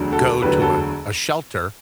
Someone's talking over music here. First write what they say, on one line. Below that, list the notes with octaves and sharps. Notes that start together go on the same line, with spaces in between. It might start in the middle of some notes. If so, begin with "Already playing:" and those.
go to a a shelter.
Already playing: E1 D2 D3 F#3
F#4 A4
E1 D2 D3 F#3 G4 B4
F#4 A4